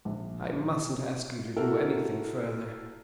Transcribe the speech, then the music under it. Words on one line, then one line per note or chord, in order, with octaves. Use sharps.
I mustn't ask you to do anything further.
A#1
E4 F#4 A4 A#4